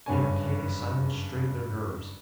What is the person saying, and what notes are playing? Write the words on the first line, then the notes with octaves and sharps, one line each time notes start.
The uncanny silence strained their nerves.
F#1 G2 C#4 G#5